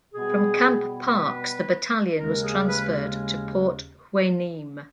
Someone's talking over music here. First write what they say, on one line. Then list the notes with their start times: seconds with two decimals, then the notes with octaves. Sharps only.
From Camp Parks the battalion was transferred to Port Hueneme.
0.14 B2 G3 B3 G#4
1.16 B4
2.18 D#2 C#3 G#3 C#4 A#4
2.44 G#4
2.68 B4